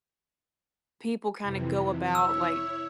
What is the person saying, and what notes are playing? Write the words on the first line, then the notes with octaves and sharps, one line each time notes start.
people kinda go about, like,
F2 C3 E3
E4 C#5 E6